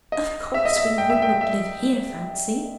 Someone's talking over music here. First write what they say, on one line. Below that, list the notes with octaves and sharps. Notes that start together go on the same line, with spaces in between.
Of course we would not live here, Fancy.
D#5
E5
D#5
E5
G5
E5
G5
E5